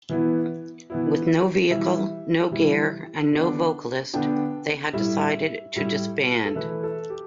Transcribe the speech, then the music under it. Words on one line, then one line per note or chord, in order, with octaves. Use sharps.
With no vehicle, no gear, and no vocalist, they had decided to disband.
E3 B3 E4
E3 B3 E4
E3 G3 E4 E5
E3 G3 E4
D3 B3 D4
D3 B3 D4 G5
A2 G3 E4 E5
A2 G3 E4
A4
E3 A3 E4 B4
A4
G4